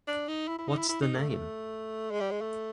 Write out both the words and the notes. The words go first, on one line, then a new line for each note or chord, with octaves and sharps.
What's the name?
D4
D#4
E4
E4
D#4
E4
E4
D#4
A3
A3
G#3
G3
G#3
A3